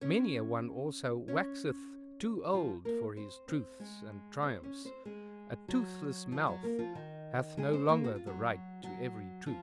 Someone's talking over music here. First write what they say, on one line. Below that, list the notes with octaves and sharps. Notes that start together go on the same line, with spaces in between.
Many a one, also, waxeth too old for his truths and triumphs; a toothless mouth hath no longer the right to every truth.
C#4 C#5
C#4 C#5
F3 F4
A#3 A#4
C4 C5
C4 C5
G#3 G#4
C4 C5
C#4 C#5
C4 C5
G#3 G#4
F#3 F#4
F3 F4
F#3 F#4
A#3 A#4
F3 F4
D#3 D#4
G#3 G#4
C4 C5
A#3 A#4
F#4
F4
F#3 F#4
F#3 F#4
F3 F4